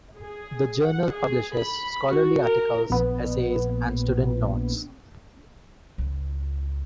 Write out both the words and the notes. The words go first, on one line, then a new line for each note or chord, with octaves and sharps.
The journal publishes scholarly articles, essays, and student notes.
G#4
F#5
G#4
B5
F#4
A#4
A#1 B3
C#2